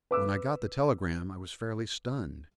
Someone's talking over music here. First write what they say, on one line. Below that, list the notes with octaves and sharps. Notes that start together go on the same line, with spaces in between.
When I got the telegram I was fairly stunned.
B4 D6 E6